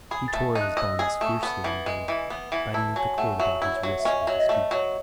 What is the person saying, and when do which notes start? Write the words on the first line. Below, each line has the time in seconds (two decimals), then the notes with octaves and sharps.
He tore at his bonds fiercely and vainly--biting at the cord about his wrists with his teeth.
0.11 G#4 B5
0.28 A6
0.33 A3
0.55 D#4
0.61 F#6
0.77 D#5 E6
0.94 E6
0.99 G#4
1.10 D#6
1.21 A3
1.26 C#6
1.43 B3 B5
1.64 E3
1.86 G#3
2.08 E3
2.30 B3
2.52 E3
2.74 E4 A5
2.96 F#3 G#5
3.18 A3 F#5
3.40 F#3 E5
3.62 E4
3.73 C#5
3.83 F#3
3.99 E5
4.05 C#4 D#5
4.21 E5
4.27 F#3
4.38 D#5
4.49 A3
4.54 C#5
4.71 F#3 C#5